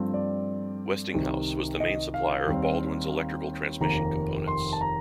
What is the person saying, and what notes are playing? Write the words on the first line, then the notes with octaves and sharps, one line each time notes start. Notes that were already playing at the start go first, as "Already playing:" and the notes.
Westinghouse was the main supplier of Baldwin's electrical transmission components.
Already playing: G2 F3 A3 C4
D5
C2 C3 D#3
D#5
F5
D#2 D#3 G3 C4
F1 D#2 D#3 A#3 A#5
C6
A5
A#5